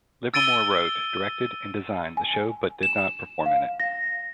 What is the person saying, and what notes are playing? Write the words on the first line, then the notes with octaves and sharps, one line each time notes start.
Livermore wrote, directed and designed the show but did not perform in it.
E6 A6 D7 D#7 G7
G#5
E7
F5
A#6